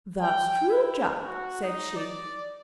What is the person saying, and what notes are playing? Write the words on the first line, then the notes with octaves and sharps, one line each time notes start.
"That's true, Jack," said she.
G5
E4
F#4
D#4
D5